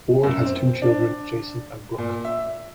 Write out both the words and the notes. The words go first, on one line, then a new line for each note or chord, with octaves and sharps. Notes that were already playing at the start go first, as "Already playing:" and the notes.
Ward has two children, Jason and Brooke.
F#2
C4
D4
A#2
E5